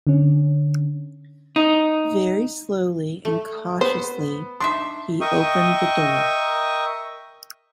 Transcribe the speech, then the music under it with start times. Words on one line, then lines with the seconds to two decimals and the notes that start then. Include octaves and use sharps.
Very slowly and cautiously he opened the door.
0.07 D3 C#4
1.56 D#4
3.25 A3
3.81 B3 C5
4.60 D4 D#4 E5 C6
5.21 A#4 D#5 E5 G5 C#6 D#6